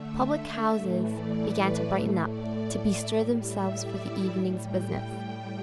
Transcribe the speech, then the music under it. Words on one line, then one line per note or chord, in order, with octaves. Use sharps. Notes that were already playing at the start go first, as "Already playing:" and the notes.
Public-houses began to brighten up, to bestir themselves for the evening's business.
Already playing: D3 A3 E5
A2 E3 A3 D5
D5
B4
A2 A3 E4
D5
E5
A2 G3 G5
E5
D5
E4
A2 G3 E5
G5
G5